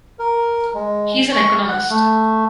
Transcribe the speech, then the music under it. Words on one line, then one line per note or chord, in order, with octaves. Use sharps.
He is an Economist.
A#4
G#3
C#6
F#5
A3